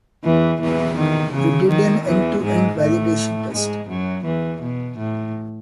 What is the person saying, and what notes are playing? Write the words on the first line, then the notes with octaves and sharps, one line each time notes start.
We did an end-to-end validation test.
E2 E3
E2 E3
D#3
C#3
D#3
E2 E3
G#2 G#3
A2 A3
G#2 G#3
F#2 F#3
E2 E3
B2
A2